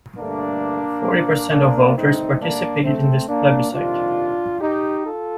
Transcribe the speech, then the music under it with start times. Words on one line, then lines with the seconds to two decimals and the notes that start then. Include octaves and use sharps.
Forty percent of voters participated in the plebiscite.
0.18 G2 D3 A3 A#3 D4
1.51 A#3 D4
1.95 G2 D3 A3 C4 D#4
2.40 A#3 D4
2.83 A3 C4
3.28 A#3 D4
3.72 F2 C3 D#3 G3 D4 F4
4.61 D#4 G4
5.05 F4 A4